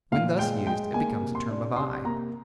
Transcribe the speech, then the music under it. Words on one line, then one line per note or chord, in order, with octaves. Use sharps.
When thus used it becomes a term of eye.
A#2 F5
G#3 G5
G#3 G5
A#3 G#5
C3
C6
D4
C3 C6
A#3 A#5